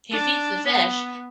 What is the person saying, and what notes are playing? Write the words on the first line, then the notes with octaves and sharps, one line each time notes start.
He feeds the fish,
D4
B3